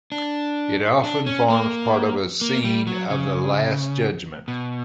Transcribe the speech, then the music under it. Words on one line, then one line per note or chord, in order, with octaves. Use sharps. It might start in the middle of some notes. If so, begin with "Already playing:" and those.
It often forms part of a scene of the Last Judgement.
D4
D4
C#4
A#3
A#3
G3
F#3
C#3
B2